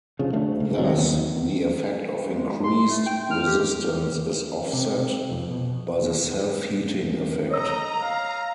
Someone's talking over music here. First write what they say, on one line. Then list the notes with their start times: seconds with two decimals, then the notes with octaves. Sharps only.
Thus, the effect of increased resistance is offset by the self-heating effect.
0.19 C#3 F3
0.33 D2 A3
0.60 C#2
0.77 C3 D#3 F#3
0.97 D#2 B3
2.34 G#3
2.64 C6
2.90 A3
3.06 G5
3.31 F6
3.47 G4
4.73 C3
4.97 C3
5.31 F2
5.50 B2
7.50 C#5 D#5 A#5 E6
8.02 F5